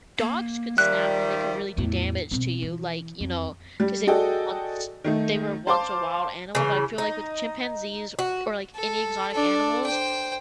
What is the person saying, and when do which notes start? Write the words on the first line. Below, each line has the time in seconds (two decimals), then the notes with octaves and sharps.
dogs could snap and they could really do damage to you, like, you know, 'cause they once they were once a wild animal, but I feel like with chimpanzees or, like, any exotic animals,
0.18 A#3
0.78 D#3 F3 G3 E5 F#6
1.77 E2 A2
2.31 B2 C4
2.62 E3
3.20 F2
3.80 G3
4.07 F#4 G#4 A4 D5 D#5 G5
5.04 D#3 A3 D#4
5.67 C5 F5 A5 C6 D6
6.55 C#3 E3
6.98 D#4
8.19 F#4
8.76 A4
9.33 D4 A4
9.86 C5 G5